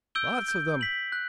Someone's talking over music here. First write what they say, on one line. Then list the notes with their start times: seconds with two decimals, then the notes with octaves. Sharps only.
Lots of them.
0.15 E6 G6 D7 G7
0.48 G6
0.81 B6 F#7
1.12 F#6